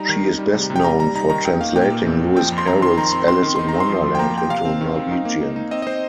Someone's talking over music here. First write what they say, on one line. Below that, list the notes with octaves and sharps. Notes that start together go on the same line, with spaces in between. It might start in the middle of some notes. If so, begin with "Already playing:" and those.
She is best known for translating Lewis Carroll's "Alice in Wonderland" into Norwegian.
Already playing: G3 D#4 A#5
D#3
D#4
G3
C3
C3
G5
G3 A#5
G3 A#5
D#4 A#5
D#3 A#5
D#4 G5
A#3 F5
A#2 G5
A#3
F2
F2
F3 G5
F2
C6
C4 A#5
D#3 C6
D#3 A#5
C4 C6
C4 C6
D#3
D#4 C6
A#5
C4
C6
F3
F2
G5
A#3 A#5
A#3 G5
C3 F5
C4
D#3
C4
D#4
A#3
D#4
D#4
C4 D#5
D#5
C4 C5